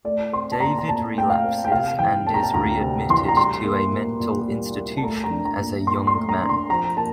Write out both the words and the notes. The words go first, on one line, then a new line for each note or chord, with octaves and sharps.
David relapses and is readmitted to a mental institution as a young man.
A3 D5
C4 C6
A5
A#2 A#5
A#5
A#2 A5
A3 G5
F5
C4
G5
C3 F5
E3 G5
A#3 A5
A#5
A5
D2 A#5
C3
E3 C6
A#5
G3 C6
A#3
A#2
A#2
G3
A#3
A5
A3 A#5
A#5
D4
A#5
A#2
A#2 C6
C6
A3
A#5
D4
C6
F3 A#5
A#3 A5